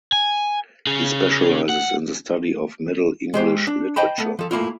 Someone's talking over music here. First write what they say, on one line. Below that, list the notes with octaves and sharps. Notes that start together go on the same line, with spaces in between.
He specializes in the study of Middle English literature.
G#5
C#4 G#4
F#5
G#3 G4 C5
D4
C5 D#5 G5 A5 B5
A3 B3
F3 A4
A3 A#3 E4 F4